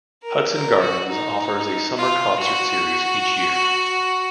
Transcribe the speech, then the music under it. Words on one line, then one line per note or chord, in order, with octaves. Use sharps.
Hudson Gardens offers a summer concert series each year.
A#4
A#4
F#4
D#4
F4
F#4